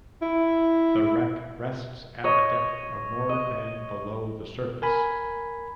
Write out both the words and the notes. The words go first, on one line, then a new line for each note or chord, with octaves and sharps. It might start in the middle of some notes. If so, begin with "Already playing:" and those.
The wreck rests at a depth of more than below the surface.
E4
C#5 D#5
D#5
A#4 G#5 B5